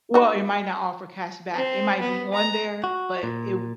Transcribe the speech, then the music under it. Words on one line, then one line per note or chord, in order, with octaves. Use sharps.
Well it might not offer cash back it might be on there, but it w
D#4 F#4
C4
B3
A#5
F#4
A#2